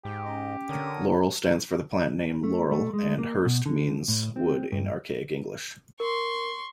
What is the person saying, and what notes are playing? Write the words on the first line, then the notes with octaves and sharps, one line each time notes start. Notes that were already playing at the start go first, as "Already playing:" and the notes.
Laurel stands for the plant name Laurel and hurst means wood in archaic English.
G#2 G4 G5
C#4 D#5
D3 A#4 C#5 D#6
A3
A3
G#3
A#3
B2
D3
A2
C4
G2
A#4 C6 C#6